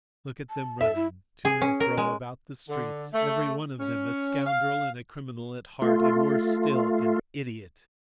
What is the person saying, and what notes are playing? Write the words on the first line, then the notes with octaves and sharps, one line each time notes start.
Look at them running to and fro about the streets, every one of them a scoundrel and a criminal at heart and, worse still, an idiot.
A5
A4 E5
E4
G#4
C#4
A#4
G#3
D3
A3
C#4
F5
A3 F4